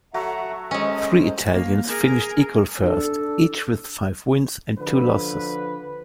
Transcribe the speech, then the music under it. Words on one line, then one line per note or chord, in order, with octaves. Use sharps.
Three Italians finished equal first, each with five wins and two losses.
F#3 A3 F#4 E5 F#5 A#5
G#3 C#4 C5 D#5
A#3
G#4 A#4
D4 A4
D3 F3 B4